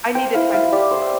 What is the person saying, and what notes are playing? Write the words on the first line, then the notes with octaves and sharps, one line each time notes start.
I needed time to cool off.
C5 G5
E4 F5
E4 F5
G4 D5
C5